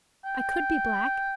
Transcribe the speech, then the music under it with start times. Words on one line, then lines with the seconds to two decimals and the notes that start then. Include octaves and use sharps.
I could be black.
0.24 G5